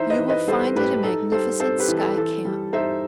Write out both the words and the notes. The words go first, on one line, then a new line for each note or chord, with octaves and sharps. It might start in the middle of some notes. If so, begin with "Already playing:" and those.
You will find it a magnificent sky camp.
Already playing: E3 D#4 C5 E5
B4 D#5
E3
B4 D#5
G3 A4 C5
A2 G4 B4
D#4 A4
G3 A4 C5
C4 A4 C5
G4 B4
E3
A4
E3 A4
G3
D#4 C5 E5